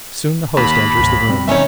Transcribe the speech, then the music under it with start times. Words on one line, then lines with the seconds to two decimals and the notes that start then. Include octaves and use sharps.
Soon the host enters the room.
0.57 D#2 B5
0.98 C2 G2 C3
1.27 B2 G3 C4
1.48 D#3 C#4 D#4 C#5 E5